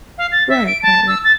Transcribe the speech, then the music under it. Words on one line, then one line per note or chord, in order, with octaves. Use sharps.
Right. Right, right.
F5
A6
E5
D7
A5
E6
A6